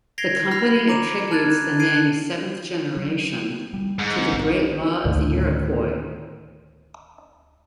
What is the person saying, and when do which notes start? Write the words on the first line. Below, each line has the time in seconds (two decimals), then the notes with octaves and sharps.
The company attributes the name "Seventh Generation" to the "Great Law of the Iroquois".
0.18 G#6 A#6 C7 D7 F7 G7
0.51 B5 F6 G6 A#6 C7 F7
0.88 A#5 D6 E7 F7
1.31 A5 F6 F#6 G#6 A6
1.79 F#6 G#6 C7 D7 D#7
2.97 F#3
3.74 G3
3.99 G#2
4.18 C4
4.33 B1 B3
5.05 D2 A2 D#3 A3